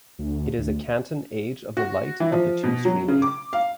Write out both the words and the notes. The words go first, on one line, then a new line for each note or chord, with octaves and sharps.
It is a canton age of the Light of the two-streaming.
D2
D2
F#4
E3
F3
B2
F#3
C#3
D6
F5